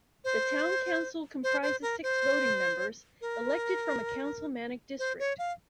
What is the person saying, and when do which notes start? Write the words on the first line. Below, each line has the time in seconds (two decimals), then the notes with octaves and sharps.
The Town Council comprises six voting members, elected from a councilmanic district.
0.24 C5
1.43 C5
1.62 C5
1.82 A#4
2.03 C5
3.21 A#4
4.99 C5
5.19 C#5
5.38 F5